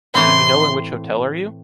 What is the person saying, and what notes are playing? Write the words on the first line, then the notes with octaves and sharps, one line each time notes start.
Do you know in which hotel are you?
A2 E3 A3 C4 E4 C6